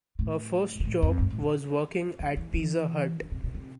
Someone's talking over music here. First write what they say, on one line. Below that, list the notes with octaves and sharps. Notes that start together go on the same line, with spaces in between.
Her first job was working at Pizza Hut.
A2
B2
A2
F2
G#2
A2
C3
F3
E3
E3
D3
C3
B2
C3